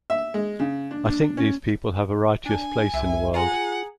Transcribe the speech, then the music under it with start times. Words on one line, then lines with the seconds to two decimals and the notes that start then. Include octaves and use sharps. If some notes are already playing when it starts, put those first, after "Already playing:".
I think these people have a righteous place in the world.
0.10 E5
0.34 G#3
0.60 C#3
0.91 D4
1.05 D4
1.37 C#4
2.46 D4 G#5
2.94 C2 E4
3.34 F4 G#4 F#5 G#5 A#5